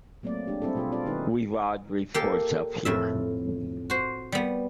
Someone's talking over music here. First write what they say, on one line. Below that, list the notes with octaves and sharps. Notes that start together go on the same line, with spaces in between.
We’ve odd reports up here.
F#3 A3 A#3 C4 D5
G#3 A3 D4 G4
G3 C4 E4 G#4 A4
B2 F4 A4
C4 F4 A4 D5
D#3 G#3 D#4 G#4 B4
A#3 G4 A4
F2 A2 E5
F#4 C5
G3 B3